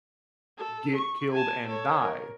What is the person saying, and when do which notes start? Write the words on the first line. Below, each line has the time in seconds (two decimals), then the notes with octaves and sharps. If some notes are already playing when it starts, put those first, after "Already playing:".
get killed and die,
0.58 A4
0.96 C#6
1.32 G#5 A5
1.67 A4 C#5
2.02 A#4